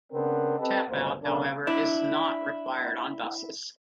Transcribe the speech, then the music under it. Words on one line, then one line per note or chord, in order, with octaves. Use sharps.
Tap out however is not required on buses.
C#3 B3 C4 D4 A#4
C4 G4 A4 B4 D#5 A5
G1 C#2 B2 A#3 C5
B1 D3 A3 D4 A#4 D5
D4 E4